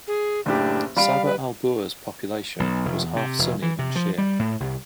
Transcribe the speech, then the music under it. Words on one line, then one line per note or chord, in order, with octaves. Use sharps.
Saba Al Boor's population was half Sunni and Shia.
G#4
F#1 A2 D4 G4
G3 F5 B5 D7
B4
B1
F1
E2
C3
F1
E3
C3
F3
G3
A2
C2